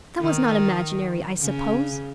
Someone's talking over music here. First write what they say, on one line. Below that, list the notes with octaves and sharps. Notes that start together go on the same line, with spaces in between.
"That was not imaginary, I suppose!"
D#3
C#3